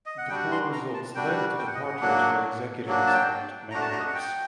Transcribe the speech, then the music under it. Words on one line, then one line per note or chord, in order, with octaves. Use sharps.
The poor results led to departures for executives and managers.
D#5
F#5
G3 D4 F#4 G5
C6
A#5
A5
G3 D4 F#4 G5
G5
F#5
D#5
F#5
F#3 A#3 D4 F#4
F#3 A#3 D4 F#4
A5
G5
A3 D4 F#4 A#5
A5
A#5
D#5
F#5
G5